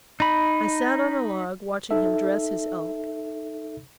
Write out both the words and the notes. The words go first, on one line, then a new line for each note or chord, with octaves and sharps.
I sat on a log watching him dress his elk.
D#4 B5
D#4 A4 E5